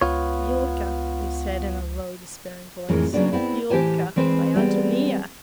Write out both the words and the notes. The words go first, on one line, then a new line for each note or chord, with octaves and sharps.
"Yulka," he said in a low, despairing voice, "Yulka; my Antonia!"
C#2 B3 F4 C#5
F2 A2 E3 G#3 A#4
C#3 F#3 A#3 B3 D4 G#4
B3 C4 E4
A2 E3 G4 C5 G#5 A5
E3 G#3 C4 B4 C5
G3 G#3 B3 C4